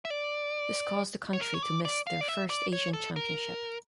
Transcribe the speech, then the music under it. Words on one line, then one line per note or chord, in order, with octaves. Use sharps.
This caused the country to miss their first Asian championship.
E5
D5
C#5
A#4
C#5
D5
D5
F5
D5
E5
D5
C#5
A4
A#4